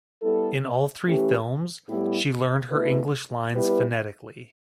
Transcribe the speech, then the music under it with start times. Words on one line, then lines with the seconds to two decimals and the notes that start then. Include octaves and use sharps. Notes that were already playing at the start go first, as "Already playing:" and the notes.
In all three films, she learned her English lines phonetically.
0.22 G3 B3 E4 A4
1.06 E3 A3 C#4 G4 B4
1.88 A2 G3 B3 E4 G4
2.71 B2 A3 E4 B4
3.55 G3 B3 E4 G4 B4